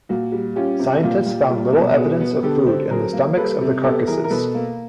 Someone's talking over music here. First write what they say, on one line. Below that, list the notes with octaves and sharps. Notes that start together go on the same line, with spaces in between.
Scientists found little evidence of food in the stomachs of the carcasses.
A#2 F#4
G3
C#4 F4 G4
C3
A#2 F4 G4
A#2
G3
B2
B3 F#4 G#4
B3
D3 G4 A4
C4
F#3 G#4 A#4
A#3
G3 A4 B4
C3
B3 G4 A4
E3 G#4 A#4
A#4
B2 A4 B4
A#3